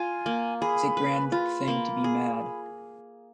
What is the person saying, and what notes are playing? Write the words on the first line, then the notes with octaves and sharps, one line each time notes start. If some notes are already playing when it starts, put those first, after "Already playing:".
It’s a grand thing to be mad!
Already playing: F4 G#5
A#3
G#4 B5
B4
F4 B5
A#3
G#4